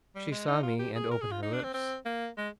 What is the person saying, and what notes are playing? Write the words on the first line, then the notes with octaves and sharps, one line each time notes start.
She saw me and opened her lips.
G3
G#3
D#4
F4
G4
G#4
A#4
G#4
F4
D#4
D4
C4
C4
A#3
G#3